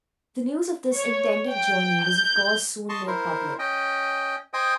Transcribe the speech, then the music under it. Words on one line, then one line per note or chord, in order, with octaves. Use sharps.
The news of this intended journey was of course soon made public.
C#5
G5
G6
D#5 A5 C6 C#6
E4 A#4 C5
C#4 D#5 G5
C5 D#5 G5 G#5 D#6